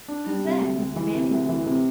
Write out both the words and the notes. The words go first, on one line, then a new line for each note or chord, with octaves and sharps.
"Who's that--your Mammy?"
D4
G3
C3
D2
D2
E3
C3
D2
E3
C3